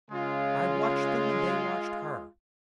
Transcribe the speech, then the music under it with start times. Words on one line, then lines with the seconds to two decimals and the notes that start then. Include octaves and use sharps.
I watched them and they watched her.
0.11 C#3 G#3 F4